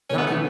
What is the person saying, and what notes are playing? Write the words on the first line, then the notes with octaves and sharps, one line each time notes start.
not be
B2 C#4
B3
A3